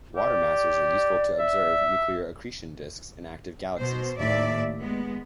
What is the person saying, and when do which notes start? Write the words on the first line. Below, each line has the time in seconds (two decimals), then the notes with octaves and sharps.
Water masers are useful to observe nuclear accretion disks in active galaxies.
0.16 G4 D5
1.39 E5
3.78 B2 C5
4.18 D#2 A2 D5 E5
4.80 G#3 B3